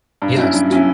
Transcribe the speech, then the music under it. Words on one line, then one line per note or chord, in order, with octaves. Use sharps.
Yes, t
G2
F#3 C#4 E4
G2
F#3 C#4 E4